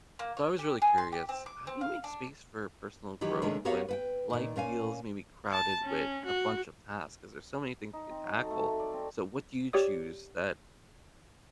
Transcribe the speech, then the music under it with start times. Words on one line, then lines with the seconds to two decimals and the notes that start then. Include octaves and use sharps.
So, I was really curious, how do you make space for personal growth when life feels maybe crowded with a bunch of tasks ’cause there's so many things you can tackle. So, what do you choose that
0.19 A#3
0.37 C#5
0.59 G4
0.82 G#4
0.98 C6
1.12 G4
1.29 C4
1.46 D6
1.67 C4
1.81 F5
2.04 D4
3.21 D#3 E3 F#3 G4
3.42 C3 D#3 G#3 A3 C#4 D4
3.65 B3 F#4 G4 A#4 C#5 F5
3.88 B4 F#5 G5
4.30 A#2 D#3
4.56 A#2 C#4 F5 G#5
5.53 A5
5.84 C#4
6.26 F#4
7.93 D#4
8.10 C4
8.25 F#3
8.38 A4
8.51 A3
8.66 A3
8.80 D5
8.93 C4
9.73 G4 C#5 D5 D#6